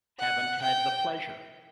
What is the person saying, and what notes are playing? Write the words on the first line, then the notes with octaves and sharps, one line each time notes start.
Haven't had the pleasure.
F#5
G5